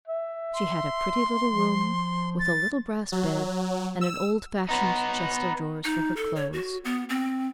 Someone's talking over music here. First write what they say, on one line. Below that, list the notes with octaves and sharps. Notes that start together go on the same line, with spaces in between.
She had a pretty little room, with a little brass bed, and an old-fashioned chest of drawers for her clothes.
E5
C6
F3
A6
F#3
E6
B3 D#4
D#4
A4
C#5
F#4
B3
C4